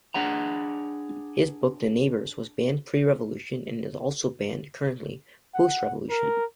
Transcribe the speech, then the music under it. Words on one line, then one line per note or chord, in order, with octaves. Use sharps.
His book "the neighbours" was banned pre-revolution and is also banned currently post-revolution.
D4 G#4 F#5 A#5
F#5
A#4